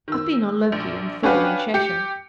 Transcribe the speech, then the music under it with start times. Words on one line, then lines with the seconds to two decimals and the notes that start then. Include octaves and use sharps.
"I've been on Loki and Thor and Shesha."
0.08 D#3 E6
0.72 A#1
1.23 C#4 D4 F#4 B4 F5 G5
1.74 G4 C#7